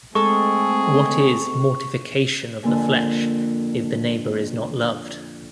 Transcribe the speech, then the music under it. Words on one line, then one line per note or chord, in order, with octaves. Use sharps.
What is mortification of the flesh if the neighbor is not loved?
G#3 A3 C4 G#4 A4 C#6
F2 D3 A#3 G#5